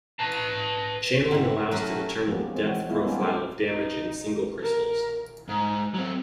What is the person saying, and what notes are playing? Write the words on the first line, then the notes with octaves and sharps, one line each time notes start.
Channeling allows to determine the depth profile of damage in single crystals.
B4 A5
G#2 C3 C4 E4 F#4
F#3 A3 C#4 A#4
F3 A#3 B3 C#4 G4 G#4
G#3 C4
E3 G#3 F#4 C#5
G#3 B3 E4 F4
G3 B3 C#4 D#4 F4 G4
F#3 G#3 A3 F#4 G4 C5
D#4
A#4
G#2
F#3 C4